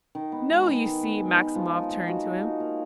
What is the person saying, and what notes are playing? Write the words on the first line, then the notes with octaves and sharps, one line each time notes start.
"No, you see," Maximov turned to him.
D#3
B3
G#3
D#3
D#3
B3
G#3
D#3
F3
D#4
A#3
F#4
F3
D#4
A#3